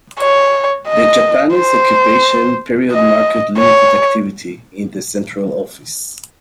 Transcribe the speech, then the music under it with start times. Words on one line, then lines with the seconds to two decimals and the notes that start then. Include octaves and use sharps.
The Japanese occupation period marked limited activity in the Central Office.
0.19 C#5
0.87 D#5
1.55 C5
2.91 D#5
3.58 C#5